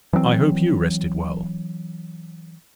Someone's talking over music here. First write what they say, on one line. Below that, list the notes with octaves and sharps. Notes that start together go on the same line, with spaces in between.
I hope you rested well.
E3 F#3 A3 C4